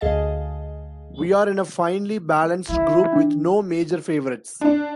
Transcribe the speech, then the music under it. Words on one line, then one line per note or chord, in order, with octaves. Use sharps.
We're in a finely balanced group with no major favourites.
D2 G#4 D#5 F5 A5
E3 E4
D4
D4